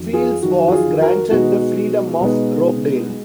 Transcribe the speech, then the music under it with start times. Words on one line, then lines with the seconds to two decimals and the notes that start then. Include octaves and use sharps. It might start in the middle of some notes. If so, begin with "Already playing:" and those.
Fields was granted the Freedom of Rochdale.
Already playing: F2 D#3 F#3
0.13 F4 G#4
0.42 F2 D#3 F#3 F#4
0.68 F#4
0.72 F4 G#4
1.02 F#4 A#4
1.31 B2 G#3 B3 D#4 F#4
2.21 B2 G#3 B3 D#4
3.09 G#3